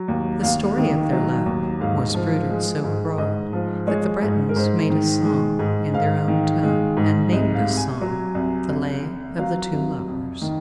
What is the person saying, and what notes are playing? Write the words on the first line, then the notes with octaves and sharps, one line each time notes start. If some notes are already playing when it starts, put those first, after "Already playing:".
The story of their love was bruited so abroad, that the Bretons made a song in their own tongue, and named this song the Lay of the Two Lovers.
Already playing: F#3
D#2
D#2 F5
D#3
F#3
D#2
G#2 F5
F3
G#3
G#2
G#2 D#5
F3
G#3 C#5
G#2
A#4
G#2 C5
D#3
G#3
G#2
G#2 F5
D#3
G#3
G#2
C2 D#5
F5
C3
G#5
F#3
C2
C2
C3
F#3 F5
C2
F2
D#3